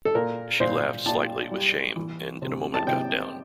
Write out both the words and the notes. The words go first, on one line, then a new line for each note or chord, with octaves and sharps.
She laughed slightly with shame, and in a moment got down.
A4
A#2 A#4
A#2 C5
A#2 A5
G3
E3
C3
A5
C3 G5